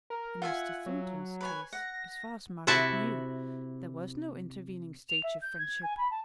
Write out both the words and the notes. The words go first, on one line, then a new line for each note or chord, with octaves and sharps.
In Mr. Thornton's case, as far as Margaret knew, there was no intervening stage of friendship.
A#4
F4 E5 F#5 G#5
F#3
B4 C#5 G#5
F#5 A#6
C3 E4 F#4 E5 A5
F7
E5
G6
G#6
G#5
B5
A5